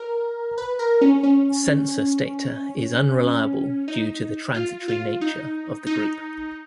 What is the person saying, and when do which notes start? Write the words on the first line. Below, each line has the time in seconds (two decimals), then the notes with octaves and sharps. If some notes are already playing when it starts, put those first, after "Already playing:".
Census data is unreliable due to the transitory nature of the group.
Already playing: A#4
0.58 B4
0.79 A#4
1.01 C#4
1.23 C#4
3.88 D#4
4.54 F4
4.88 F4
5.21 D#4
5.86 D#4